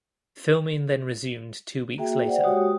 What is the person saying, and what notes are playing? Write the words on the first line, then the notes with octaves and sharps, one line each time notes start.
Filming then resumed two weeks later.
A#3 F#4 G#4 E5 G5
C5 D5 F#5 G5
G#3 F#4 G4 C#5 D#6